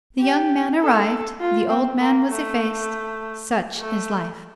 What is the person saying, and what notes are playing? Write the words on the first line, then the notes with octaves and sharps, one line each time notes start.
The young man arrived, the old man was effaced; such is life.
G4
A4
F4
C4
A#3
A3
A3